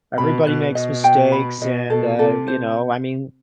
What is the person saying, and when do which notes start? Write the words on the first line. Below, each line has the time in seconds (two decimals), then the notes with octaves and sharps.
everybody makes mistakes and, uh, you know, I mean,
0.17 B2 B5
0.46 B2 B4
0.75 B2 D#5
1.04 G5
1.32 B5
1.61 B2 D#5
1.90 B2 A4
2.19 C3 A4
2.47 C5